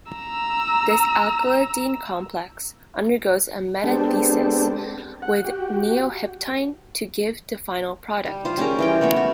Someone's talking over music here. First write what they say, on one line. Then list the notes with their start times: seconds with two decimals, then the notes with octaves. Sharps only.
This alkylidyne complex undergoes a metathesis with neoheptyne to give the final product.
0.12 A#5 E6
3.84 G#3 B3 C4 D4 G4 A4
5.22 F#5
5.45 F#4 G4
8.26 G3
8.45 F4 C5
8.57 G3 C#4 G#4 A#4
8.79 E3 G4 G5
9.01 A3 B3 F#4 C#5
9.16 F#4